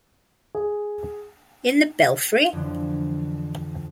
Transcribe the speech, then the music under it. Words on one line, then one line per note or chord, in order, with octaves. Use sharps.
In the belfry?!
G#4
F2 D3 E3